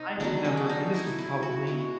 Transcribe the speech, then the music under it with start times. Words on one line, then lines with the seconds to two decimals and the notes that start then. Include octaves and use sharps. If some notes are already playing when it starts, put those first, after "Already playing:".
I have never, and this was probably
Already playing: C3 D#4
0.20 D#3 F#3 B3 D4
0.44 C#4
0.57 D4
0.69 D#4
0.94 E4
1.19 E4
1.43 F#4
1.67 B2 G#3 B3 F#4